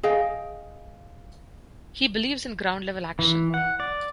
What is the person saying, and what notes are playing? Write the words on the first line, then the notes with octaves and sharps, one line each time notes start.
He believes in ground level action.
G#4 D#5 F5 G5
E3
F#5
D5